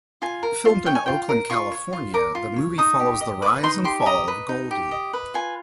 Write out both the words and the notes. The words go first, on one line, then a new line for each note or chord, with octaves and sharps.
Filmed in Oakland, California the movie follows the rise and fall of Goldie.
F4 G#5
A#4
F4
C#5 G5
G#5
F4 G5
A#4
F4 C#6
C#5
F4
A#4 D6
F4
C#5
D#4 D#6
G4
D#5
B4 D6
D#4 C6
G4 C6
D#5 A#5
B4
D#4
G4
D#5
B4
F4 G#5